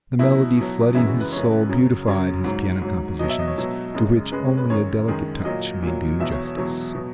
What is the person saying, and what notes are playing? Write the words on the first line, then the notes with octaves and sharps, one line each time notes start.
The melody flooding his soul beautified his piano compositions, to which only a delicate touch may do justice.
B2 F#3 E4
B2 F#3
F#2 C#3 E3 G#3 E4
F#4
B4
F#2 C#3 E3 G#3 C#5
F#2 C#3 F#3
F#2 C#3 F#3 C#5
G#2 F#3
G#2 F#3
B2 F#3 D#5
E5
D#5
C#5
B2 F#3
F#2 C#3 G#3
F#2 C#3 G#3 B4
C#5
B4
F#2 D#3 G#3 C#5
F#2 D#3 G#3
A#2 F#3 D#5
A#2 F#3
E2 B2 F#3 E5
C#5
C#5
E2 B2 F#3 C#5
B2 F#3